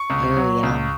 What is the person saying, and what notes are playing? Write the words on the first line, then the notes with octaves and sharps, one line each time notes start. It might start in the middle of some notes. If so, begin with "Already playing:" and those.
Oh, yum.
Already playing: C#6
C#2
F#3
C#2